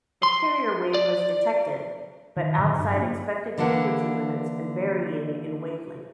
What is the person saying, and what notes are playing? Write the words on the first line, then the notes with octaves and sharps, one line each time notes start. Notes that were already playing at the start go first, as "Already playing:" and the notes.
A carrier wave was detected, but outside expected frequency limits and varying in wavelength.
C6
D5
D#3
A2 D3 F#3
G2 D4
A#3 C#4
D3 E3 A#3 D4 F#5